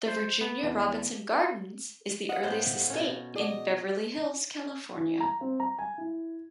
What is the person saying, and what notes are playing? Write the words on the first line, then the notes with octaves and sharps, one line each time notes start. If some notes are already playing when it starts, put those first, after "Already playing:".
The Virginia Robinson Gardens is the earliest estate in Beverly Hills, California.
C5
B3
E2
D#5 F5 F#5
A2 B3 C5 F#5
B2 C#4
G#4 D5 D#5 F#5
E3
A#5
C4
A#5
G#5
E4